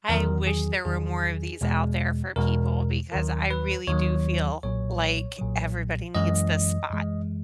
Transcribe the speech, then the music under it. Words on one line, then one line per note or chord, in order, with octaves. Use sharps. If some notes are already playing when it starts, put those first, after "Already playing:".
I wish there were more of these out there for people because I really do feel like everybody needs this spot.
E2 D#3 F#3 A#4
G#4
E2 D#3 F#3 G#4
E2 B2 G#3
E2 B2 G#3 A#4
D#2 D#3 F#3 A#4
B4
D#2 D#3 F#3 C#5
B1 A#2 F#3 C#5
B1 A#2 F#3
F#2 E3 G#3 D#5
F#2 E3 G#3